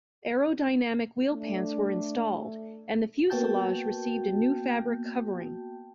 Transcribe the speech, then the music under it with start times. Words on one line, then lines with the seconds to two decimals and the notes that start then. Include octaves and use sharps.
Aero-dynamic wheel pants were installed, and the fuselage received a new fabric covering.
1.33 A3 D4
3.30 A#3 B3 F#4 G5 A5 G6